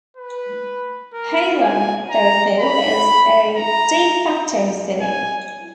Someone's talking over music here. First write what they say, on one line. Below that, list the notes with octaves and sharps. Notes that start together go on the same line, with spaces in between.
Hailar, therefore, is a "de facto" city.
B4
A#4
G#5
A#5
B5
A#5
G#5